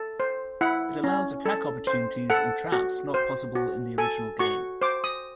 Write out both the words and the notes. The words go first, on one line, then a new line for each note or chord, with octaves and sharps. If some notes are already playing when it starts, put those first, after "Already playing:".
It allows attack opportunities and traps not possible in the original game.
Already playing: A4
C5
E4 F#5
C#4
A4
C5
A4 F#5
F#4
C5
F#4
A4 G#5
F#4 C#6
C5 D6
D#6